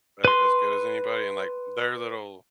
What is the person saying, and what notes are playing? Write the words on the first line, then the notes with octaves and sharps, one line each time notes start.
better as good as anybody, and, like, their little
B4 C6